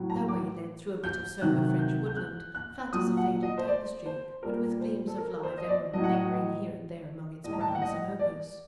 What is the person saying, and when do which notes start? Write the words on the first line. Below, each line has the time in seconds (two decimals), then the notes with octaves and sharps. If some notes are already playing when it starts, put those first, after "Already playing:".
Their way led through a bit of sober French woodland, flat as a faded tapestry, but with gleams of live emerald lingering here and there among its browns and ochres.
Already playing: A2 F#3
0.10 A#5
0.28 D6
1.04 G6
1.41 C3 D#3 F#3 F#6
1.79 G6
2.06 G6
2.17 F#6
2.55 F#6
2.92 A#2 F#3 D#6
3.17 F#5
3.43 D#5
3.58 C5
3.67 D5
4.06 C5
4.43 A#2 G3 A#4
4.81 C5
5.07 A4
5.18 A#4
5.43 C5
5.58 D#5
5.68 D5
5.93 A2 F#3 D#5
6.04 F#5
6.14 D#5
7.44 A2 G3 D#5
7.53 A#5
7.61 A5
7.68 G5
7.75 F#5
7.82 D#5
8.19 D5